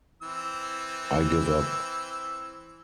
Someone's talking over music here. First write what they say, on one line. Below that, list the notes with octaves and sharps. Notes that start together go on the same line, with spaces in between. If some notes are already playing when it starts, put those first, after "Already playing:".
I give up.
E3 C4 E6